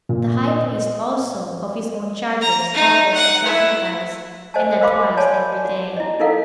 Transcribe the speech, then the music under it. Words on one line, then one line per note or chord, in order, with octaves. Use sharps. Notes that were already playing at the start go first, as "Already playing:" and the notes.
The high priest also, of his own charges, offered a sacrifice, and that twice every day.
A#2
D#5
A#5
D#4
F#5
E4
C5 D#5 F#5 G#5 A5
A#4 C5 F5 B5 C6 D6
C#5 D5 G#5 A5 B5
F#4
E4 D#5
D#4 E4 A4 A#4 F5 F#5